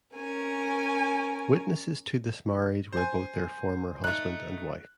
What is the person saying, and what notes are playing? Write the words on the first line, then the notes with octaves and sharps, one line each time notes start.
Witnesses to this marriage were both their former husband and wife.
C#4 A#4 G#5
C5 G#5
A3 D#4 F#6